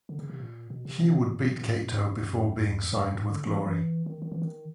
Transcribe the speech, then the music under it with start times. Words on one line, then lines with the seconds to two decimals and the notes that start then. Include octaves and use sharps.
He would beat Kaito before being signed with Glory.
0.09 D3
0.19 C#3
0.30 C3
0.40 A#2
0.70 B2
0.85 C3
1.00 C3
1.16 C3
1.31 A2
1.41 A#2
1.51 B2
1.62 A2
1.77 G#2
1.92 G#2
2.07 G2
2.23 F#2
2.53 F2
2.69 E2
2.84 F2
2.93 G2
2.99 F#2
3.15 A2
3.30 D3
3.45 E3
3.56 F3
3.66 E3
4.06 D#3
4.22 D#3
4.32 E3
4.42 D#3